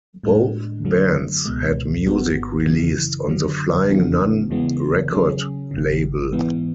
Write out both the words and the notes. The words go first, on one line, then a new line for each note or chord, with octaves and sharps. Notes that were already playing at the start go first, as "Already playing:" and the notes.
Both bands had music released on the Flying Nun record label.
A2 G#3 D4
F#2 D3 F#3 A3
C#2 B2 G#3
G#1 G#2 G#3 B3 F#4
F#2 C#3 E3
F#2 D3 F#3
C#3 E3 B3 D4 F#4
E2 C#3 E3 G#3 B3
C#3 F#3 C#4 G#4
G#1 F#2 C#3
G#2 E3 G#3 B3